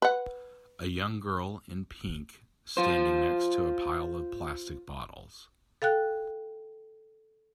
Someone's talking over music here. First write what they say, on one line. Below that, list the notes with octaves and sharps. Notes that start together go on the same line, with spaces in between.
A young girl in pink standing next to a pile of plastic bottles.
B4 F#5
F4 C5
A4 F5 G5 F#6